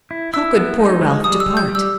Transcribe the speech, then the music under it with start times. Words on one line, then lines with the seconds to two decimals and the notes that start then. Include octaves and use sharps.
How could poor Ralph depart?
0.11 E4
0.34 E4 E6
0.56 B3
0.79 D#4
1.01 G#3
1.24 G3 D#6
1.40 E6
1.46 G3
1.57 G6
1.68 G3
1.75 E6